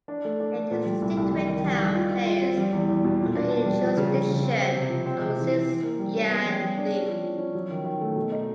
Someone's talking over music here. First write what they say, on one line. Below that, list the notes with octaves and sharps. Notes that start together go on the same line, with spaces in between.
It is a district town placed under he jurisdiction of the Xing’an league.
D4
A3
D4
A3
A#2
G3
C2
C2
G3
D#3
G3
G3
F4
F4
F4
C4
G3
E2
E2
B2
A#2
D4
D4
G3
F3
C#3
C#3
C#3
C4
C4
C3
F3
C4
C3
E3
E3
E3
A#3
G3
C#4
B3
G3
G3
D4
C#4
F3
F3
C#4
F#3
D#3
D#3
A3
B2
D#4